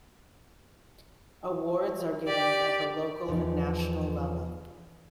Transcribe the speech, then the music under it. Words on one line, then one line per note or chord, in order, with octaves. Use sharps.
Awards are given at the local and national level.
G4 D5
E2 F3 D#4